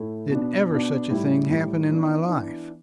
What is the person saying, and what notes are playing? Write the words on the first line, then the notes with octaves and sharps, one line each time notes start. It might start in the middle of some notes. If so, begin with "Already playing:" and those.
Did ever such a thing happen in my life?
Already playing: A2 A3 E4
B2 B3 D4
B2 B3 D4
A2 G3 E4
A2 G3 E4
E3 B3 D4
E3 B3 D4